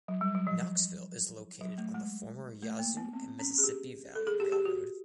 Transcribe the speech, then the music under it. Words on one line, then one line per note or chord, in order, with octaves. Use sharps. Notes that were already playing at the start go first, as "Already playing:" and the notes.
Knoxville is located on the former Yazoo and Mississippi Valley Railroad.
F#3
G3
F#3
F3
F#3
A3
G#3
A3
A#3
B3
C4
C#4
G#4
G4
A4
G#4
G4
G4
F#4